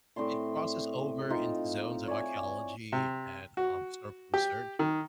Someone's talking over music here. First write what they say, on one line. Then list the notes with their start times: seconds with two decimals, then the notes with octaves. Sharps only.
it crosses over into zones of archeology and, um, historical research.
0.16 A2 C4 D5 C6
1.30 C4 D#4 F4
2.08 C#5 D5 E5 G#5
2.93 C3
3.57 F#4
4.34 G4
4.79 D#3